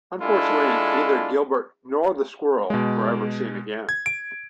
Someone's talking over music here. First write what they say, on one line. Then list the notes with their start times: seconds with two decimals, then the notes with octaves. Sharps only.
Unfortunately, neither Gilbert nor the "Squirrel" were ever seen again.
0.21 G#3 D4 E4 F4 A4
2.70 B2 G#3
3.89 G#6
4.06 D7